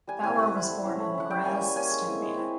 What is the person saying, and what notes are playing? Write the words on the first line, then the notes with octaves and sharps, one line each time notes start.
Bauer was born in Graz, Styria.
G3 G#5
C4 E4 G#5
G3 F#5
C4 E4
A3
C#4 E4
A3
C#4 E4 F#5
G3 G5
A#3 C#4 G#5
G3 G#5
A#3 C#4 G#5
G#3
C4 E4
G#3
C4 E4